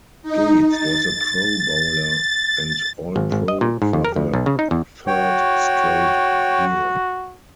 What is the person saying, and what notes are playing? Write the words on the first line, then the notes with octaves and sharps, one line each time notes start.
Gates was a Pro Bowler and All-Pro for the third straight year.
D#4
A6
G#1
G#1
D#5
A#2
G#2
D#2
A#4
D2
B1
C#3
D#4
E2
F#4 C#5 G5